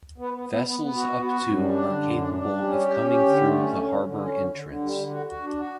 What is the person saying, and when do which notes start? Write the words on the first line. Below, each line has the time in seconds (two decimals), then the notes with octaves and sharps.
Vessels up to are capable of coming through the harbour entrance.
0.18 B3
0.34 B3
0.49 B3
0.64 B3
0.80 B3
0.94 F#4
1.10 B3
1.25 F#4
1.41 F#2
1.56 G3
1.72 D4
1.87 D3
2.03 F#2
2.18 D4
2.34 D4
2.49 G3
2.64 C#4
2.80 G4
2.95 C#4
3.11 G4
3.26 D3
3.41 A3
3.57 C#4
3.73 D3
3.88 D3
4.03 D3
4.18 C#4
4.34 D3
4.49 D3
4.64 D3
4.80 G3
4.95 D3
5.11 F#4
5.26 F#4
5.42 D4
5.57 F#4